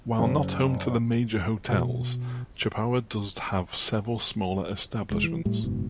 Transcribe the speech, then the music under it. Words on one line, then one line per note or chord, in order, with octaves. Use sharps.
While not home to the major hotels, Chippawa does have several smaller establishments.
F#1
B2
F1 G#3
E3
A2 G3
F#1 G#2 B2